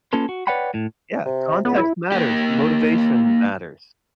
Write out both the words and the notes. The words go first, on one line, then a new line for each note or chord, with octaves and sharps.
Yeah, context matters, motivation matters.
A#3 C#4 F4 A4 B4
F#4
B4 C#5 D5 F#5 G5 B5
A2
C3
C#2 B3
E4
A#3 G4